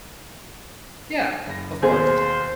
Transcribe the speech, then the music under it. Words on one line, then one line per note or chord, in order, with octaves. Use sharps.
Yeah, of course.
F#1 A#6
D#2 B2 C4 G#4 C5